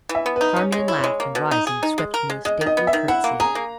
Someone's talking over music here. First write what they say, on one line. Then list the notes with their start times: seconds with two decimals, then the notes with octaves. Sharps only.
Charmian laughed, and, rising, swept me a stately curtesy.
0.09 E3
0.15 E5
0.26 B3
0.36 D#4 B4
0.56 C#4 C#5
0.72 G#3
0.78 C#5
0.88 E4
0.99 G#3 C#5
1.20 A#3
1.35 B2
1.51 D#4
1.67 G#4
1.83 D#4
1.98 G#3
2.14 A#4
2.30 G#3
2.45 G#3 D#5
2.61 D#3
2.66 D#5
2.77 B3
2.87 E5
2.93 D#3
3.08 E4 F#5
3.24 A#3
3.40 G#4 A#5
3.55 A#3